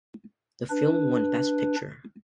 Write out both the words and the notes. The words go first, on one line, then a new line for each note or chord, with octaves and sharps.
The film won Best Picture.
D4 B4